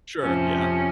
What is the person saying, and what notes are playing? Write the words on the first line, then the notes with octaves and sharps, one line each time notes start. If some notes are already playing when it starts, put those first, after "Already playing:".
Sure, yeah.
F2 C3 F3 C#4